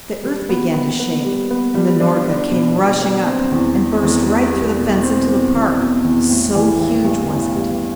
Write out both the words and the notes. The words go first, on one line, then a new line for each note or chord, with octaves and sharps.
The earth began to shake, and the Norka came rushing up, and burst right through the fence into the park, so huge was it.
G3
B3
B3
B3
G3
B3
G3
D4
D4
B2
B2
D4
C4
E2
C4
E2
G3
G3
B2
C4
C4
E2
B2
E2
A1
E3
A1
G2
A1
G2